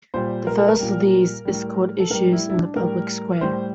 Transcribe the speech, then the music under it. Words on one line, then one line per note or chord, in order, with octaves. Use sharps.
The first of these is called Issues in the Public Square.
A#2 G3 C5
A#4
A4
A#4
A#2 G3
A2 G3
A4
A2 G3 A#4
E4
E4
D4
A2 G3 A#4
A2 G3 C5